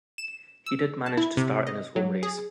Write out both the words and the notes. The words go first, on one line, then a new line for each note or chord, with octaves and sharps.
He did manage to start in his home race.
E7
E6
A5
E4
C3
D#5
F#3
G#4